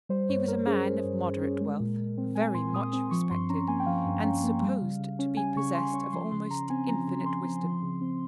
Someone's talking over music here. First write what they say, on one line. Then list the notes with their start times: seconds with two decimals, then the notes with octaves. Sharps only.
He was a man of moderate wealth, very much respected, and supposed to be possessed of almost infinite wisdom.
0.09 G3 C5
0.29 G2 C#5
0.47 G2 A#4
0.66 C#4 G#4
0.86 G3 A#4
1.04 G2
1.23 G2
1.41 C#4
1.61 G#3
1.80 A#2
1.98 A#2
2.17 C4
2.35 G#3 G#5
2.54 A#2 C6
2.73 A#2 D#6
2.93 C4 D#6
3.11 F3 C#6
3.30 G2 C6
3.50 C#4 A#5
3.68 A#3 G#5
3.80 G5
3.86 F3 F5
4.06 G2
4.24 C#4
4.43 A#3
4.62 G3
4.81 C#3
4.99 C#3
5.19 C#4
5.37 G3 G#5
5.56 C#3 C#6
5.75 C#3 C6
5.93 C#4 C#6
6.13 F3 C6
6.31 C#3 C6
6.51 C#3 A#5
6.70 C4 G#5
6.89 F3 A#5
7.07 C#3
7.26 C#3 C6
7.44 C4
7.63 F3
7.82 C#3
8.01 C4